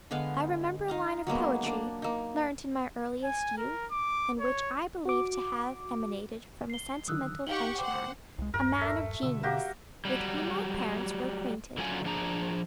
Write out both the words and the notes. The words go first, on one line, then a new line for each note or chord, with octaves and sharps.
I remember a line of poetry, learnt in my earliest youth, and which I believe to have emanated from a sentimental Frenchman, a man of genius, with whom my parents were acquainted.
D3 G#3 B3 F5
D#4 F5 A#5
F#3 G#3 A#3 B3
A#3 D4
A#3 D#4
G#5
A#4
D6
C#5
F#4 D6
C7 G7
D3 D#3 F#3 D#6 E6 F#6
D#4 G4 F5 F#5 C#6 F#7 G7
C5 F#5 G5 D6
C2 G#3
D#1 G2 A#4
A3
B2 D3 E5
A#3 F#4 G4
F#3 G3
D3 F#3 C#4 F4 G#5
F3 D4 G#4 A#5